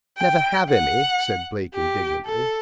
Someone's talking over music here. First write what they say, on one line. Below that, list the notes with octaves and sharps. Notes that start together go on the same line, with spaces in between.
"Never have any!" said Blake indignantly.
G5
F#5
G4
A4